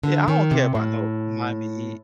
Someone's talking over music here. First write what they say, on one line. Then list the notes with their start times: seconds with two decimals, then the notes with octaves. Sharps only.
Yeah, I don't care about no Miami Heat.
0.03 D3
0.28 D#3
0.51 C3
0.75 A2